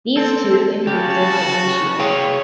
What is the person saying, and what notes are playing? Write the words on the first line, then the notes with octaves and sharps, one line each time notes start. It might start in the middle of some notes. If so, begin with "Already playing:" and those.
These two improved their hit ratio.
C4 A4
C#3 F#4 G4 A5
G#4 C#5 F5 G5